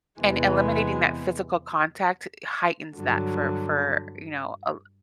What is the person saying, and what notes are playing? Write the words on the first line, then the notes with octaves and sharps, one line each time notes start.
and eliminating that physical contact heightens that for for, you know, a li
E2 C3 E3 G#3 B3
G2 D3 F#3